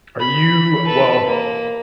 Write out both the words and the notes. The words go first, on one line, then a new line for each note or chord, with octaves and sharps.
Are you well,
B5
A4 B4
A#3